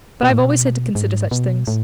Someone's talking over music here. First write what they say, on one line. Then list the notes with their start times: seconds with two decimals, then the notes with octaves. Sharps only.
But I've always had to consider such things.
0.23 B2
0.31 A2
0.39 B2
0.95 G#2
1.31 B2
1.67 A2